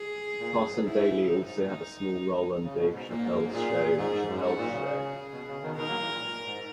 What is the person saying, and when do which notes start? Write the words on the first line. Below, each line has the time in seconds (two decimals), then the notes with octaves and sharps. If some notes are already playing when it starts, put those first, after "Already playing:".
Carson Daly also had a small role on Dave Chappelle's show "Chappelle's Show".
Already playing: G#4
0.40 A#2
0.54 F#2
0.70 G#2
0.84 G#2 E4
0.96 F#2
1.08 G#2
1.18 C#3
1.29 F#2 D#4
1.44 G#2
1.59 A#2
2.63 C#3
2.78 B2
2.93 G#2
3.09 A#2 A#3
3.20 G#2
3.31 F#2
3.42 G#2
3.53 A#2 G#4
3.75 A#2
3.97 G#2 G#4
4.13 G#2
4.28 F#2
4.42 G#2 F#4
4.58 A#2
4.72 C#3
4.88 G#4
5.32 B2
5.48 C#3
5.62 B2 D#3
5.76 B2 D#3 A#4
5.88 F#3 A#3
6.00 E3 G#3
6.10 A#2
6.22 A#2
6.44 G#2